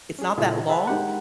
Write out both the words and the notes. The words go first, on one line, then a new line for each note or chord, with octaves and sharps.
it's not that long,
C#4 G#4
A#2 C#3 E4 F4 G#4 A4
G#4 C5 E5 F#5 A5 B5
G#3 D#4 G4 A#4 F#5